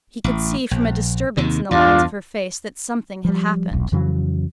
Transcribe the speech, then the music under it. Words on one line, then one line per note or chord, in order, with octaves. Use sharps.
He could see from a disturbance in the lines of her face that something had happened.
A1
A#1
D#2 C3 D#3
E2 G2 D4 F4
F3 G3
D#1 B1
F2 C#3 E3 F#3